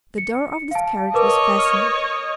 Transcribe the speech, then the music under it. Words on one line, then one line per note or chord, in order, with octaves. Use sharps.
The door of this carriage was fastened.
C#7
F5 A5
A#4 B4 C#5 D#5 D6
F6